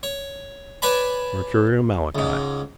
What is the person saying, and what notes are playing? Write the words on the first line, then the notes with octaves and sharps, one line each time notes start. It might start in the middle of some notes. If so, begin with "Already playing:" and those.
Mercurial Malachi.
C#5
B4 C#5 D5 G#5 A5 B5
C#2 G#2